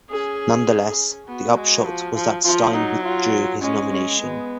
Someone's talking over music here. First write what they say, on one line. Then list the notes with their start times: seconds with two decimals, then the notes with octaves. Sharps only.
Nonetheless, the upshot was that Stein withdrew his nomination.
0.10 C#4 G#4
1.27 B3 F#4
1.57 G#3
1.85 F3
2.15 F3
2.44 F3 F4
2.74 F#3 D#4
3.03 F4
3.62 G#3 C#4
3.91 C#4
4.21 B3